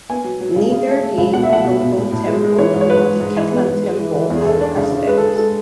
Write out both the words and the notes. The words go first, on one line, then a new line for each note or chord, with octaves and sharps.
Neither the Nauvoo Temple nor the Kirtland Temple had a president.
B3 G#5
F#3
F#3
C#3
C#3
A3
A3
C#2
B2 F#5
E5
A3 F#5
B2
B2
A2
A2
G#3
G#3
E3 C#5
G#2
C#5
G#2 B4
G#2
G#2
E3
B3
G#2
G#3
E3
E3
E2
G#4
C#3 A4
D4
C#3
C#3
G#3 B4
A4
G#3 G#4
G#3 A4